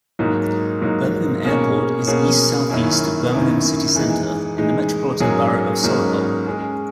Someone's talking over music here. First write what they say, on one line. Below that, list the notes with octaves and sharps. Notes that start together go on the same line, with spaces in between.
Birmingham Airport is east-south-east of Birmingham city centre, in the Metropolitan Borough of Solihull.
G#2 F#3 A#3 D#4
G#2 F#3 A#3 D#4
B2 A#3 C#4 G#4 C#5
B2 A#3 C#4 G#4 C#5
F#2 D#3 A#3 C#4 E4
F#2 D#3 A#3 C#4 E4
E3 G#3 D#4
E3 G#3 D#4
G#2 F#3 A#3 C#4 G#4
G#2 F#3 A#3 C#4 G#4
G#3 C#4 G#4